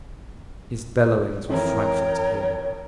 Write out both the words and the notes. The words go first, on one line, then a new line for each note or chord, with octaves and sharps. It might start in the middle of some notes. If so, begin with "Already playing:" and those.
His bellowings were frightful to hear.
F2 E3 A#4 C#5 G5